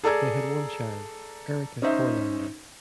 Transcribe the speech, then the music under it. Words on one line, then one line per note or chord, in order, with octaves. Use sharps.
They had one child, Erika Courlander.
G#4 A4 D5 A#5 G#6
C#4 D#4 C5 E5